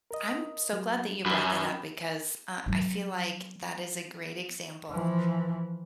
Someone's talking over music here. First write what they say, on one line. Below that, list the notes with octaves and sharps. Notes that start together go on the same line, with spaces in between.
I'm so glad that you brought that up because, uh, I feel like that is a great example,
A#4 D#5
F#3
F#2 B5
F#3 C#4
E3 F3